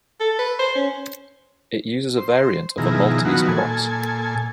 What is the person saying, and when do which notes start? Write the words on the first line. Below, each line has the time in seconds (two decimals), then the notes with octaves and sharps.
It uses a variant of a Maltese Cross.
0.20 A4
0.39 B4
0.59 C5
0.75 C#4
2.18 C5
2.78 B2 D#3 F3 E4 G#4 A#5
3.25 D#3 F3 F#3 B3 F#4
3.48 A#2 A4 G#5